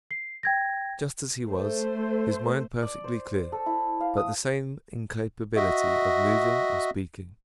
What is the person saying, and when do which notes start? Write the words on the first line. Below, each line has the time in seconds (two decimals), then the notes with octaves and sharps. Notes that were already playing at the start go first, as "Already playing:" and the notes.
"Just as he was, his mind perfectly clear, but the same incapability of moving or speaking."
0.11 C7
0.43 G5 G#6 A#6
1.47 A3 C5
2.82 D5
3.04 C5
3.52 A4
3.66 E4
4.00 F5
4.17 D#6
5.56 F#4 D#5 E5